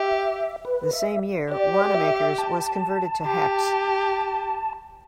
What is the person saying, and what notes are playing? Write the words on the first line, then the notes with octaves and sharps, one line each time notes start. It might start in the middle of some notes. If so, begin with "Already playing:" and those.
The same year, Wanamaker's was converted to Hecht's.
Already playing: G4 E5
B4
E5
G4 D5
D5
E5
A5
G4